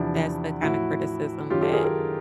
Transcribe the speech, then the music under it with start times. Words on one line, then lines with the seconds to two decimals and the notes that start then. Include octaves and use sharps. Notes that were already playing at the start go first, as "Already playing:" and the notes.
That's the kind of criticism that
Already playing: E2 C3 F3 D4 E4
0.63 A2 F3 E4 F#4
1.50 F#2 D#3 F#3 F4 G4
1.61 G4 A4
1.73 G#4 A#4
1.84 G#4 A#4